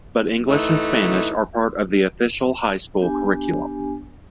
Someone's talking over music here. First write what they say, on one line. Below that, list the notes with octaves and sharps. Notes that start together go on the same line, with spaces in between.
But English and Spanish are part of the official high school curriculum.
E3 A3 D#4
B3 D4 G4 G#5